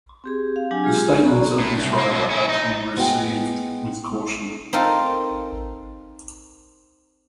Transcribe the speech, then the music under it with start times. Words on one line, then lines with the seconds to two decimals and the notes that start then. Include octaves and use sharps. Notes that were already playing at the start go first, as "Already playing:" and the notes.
The statements of this writer are to be received with caution.
0.24 C4 G4 G#4
0.56 F5
0.71 F#3 D4 G4 G#5
0.84 G#3 F4 G#4
1.24 F#4 D5 A#5 B5 C#6
1.60 A2
1.77 C2
1.99 A#3
2.11 B2 F#3
2.31 C#4 E4
2.49 D#4
2.97 G#3 B3 G#4 D#5 G5 G#5
4.73 C4 D#4 F4 A4 A#4